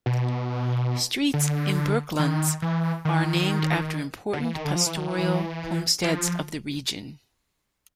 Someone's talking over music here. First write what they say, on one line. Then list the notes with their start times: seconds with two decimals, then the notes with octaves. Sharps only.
Streets in Bourkelands are named after 'Important pastoral homesteads of the region'.
0.06 B2
1.34 D3
2.19 D#3
2.62 E3
3.05 D#3
4.33 D3
4.43 E3
4.54 D#3
4.65 D3
4.75 F3
4.86 E3
4.97 D#3
5.08 E3
5.18 E3
6.04 F3